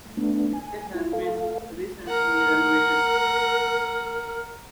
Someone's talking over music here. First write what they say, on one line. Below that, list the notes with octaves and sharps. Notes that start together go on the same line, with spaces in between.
It has been recently renovated.
A3 B3 D4
G#5
E4 F4
A4 F5
A#4 F#5 A#5